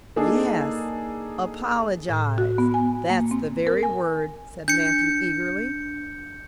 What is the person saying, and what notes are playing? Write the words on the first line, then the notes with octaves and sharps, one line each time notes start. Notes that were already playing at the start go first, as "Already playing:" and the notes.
"Yes--apologize--that's the very word," said Matthew eagerly.
A#3 D4 D#4 G#4 A4
A2
F#4
B3
G#5
A#3
C4
A#4
G#5
D4 G6 C#7